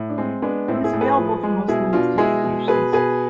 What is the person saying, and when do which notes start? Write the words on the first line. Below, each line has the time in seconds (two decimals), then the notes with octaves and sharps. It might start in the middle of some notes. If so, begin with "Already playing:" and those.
It is available for most Linux distributions.
Already playing: A2
0.10 D4
0.18 G#3 C4
0.42 G#3 B3 D4
0.68 A2 C4 E4
0.84 E4 G#4
0.93 A2
1.01 G#4 B4
1.18 F3
1.43 G#3
1.68 B2 E4 G#4
1.93 B2 D4 F4
2.18 G#3 E4 G#4
2.44 B2
2.68 B2 G#4 B4
2.93 B2 G#4 B4